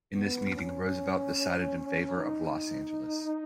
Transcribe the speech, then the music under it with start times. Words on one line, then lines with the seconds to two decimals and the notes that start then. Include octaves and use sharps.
In this meeting, Roosevelt decided in favor of Los Angeles.
0.15 B3
0.56 C#4
2.18 D#4